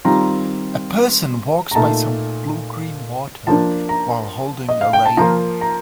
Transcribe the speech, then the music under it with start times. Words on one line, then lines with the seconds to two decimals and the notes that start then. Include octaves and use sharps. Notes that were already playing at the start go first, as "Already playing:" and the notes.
A person walks by some bluegreen water while holding a rail.
0.05 D#3 G3 C4 F4 A#5
1.71 A#5
1.75 A#2 A3 D#4 A5
3.47 F3 A#3 D4 A5
3.89 A#5
4.69 D#5
4.81 F5
4.93 G5
5.06 A5
5.17 F3 A#3 F4 A#5
5.61 A#5